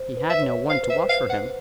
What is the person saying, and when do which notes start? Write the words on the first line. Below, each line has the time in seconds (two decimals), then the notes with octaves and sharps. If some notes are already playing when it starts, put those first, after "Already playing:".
He had no one to wash for him.
Already playing: C5
0.17 B4
0.30 E5
0.43 C#5
0.70 C5 F5
0.83 B4
0.90 E5
0.96 C5
1.10 F5
1.30 F#5